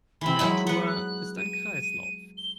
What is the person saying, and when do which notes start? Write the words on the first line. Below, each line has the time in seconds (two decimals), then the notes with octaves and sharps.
Die Natur ist ein Kreislauf.
0.21 E3 C4 B5
0.39 F#3 G#3 E4
0.67 B3 B4 C#7
0.87 F#6
1.37 D#7
2.38 G7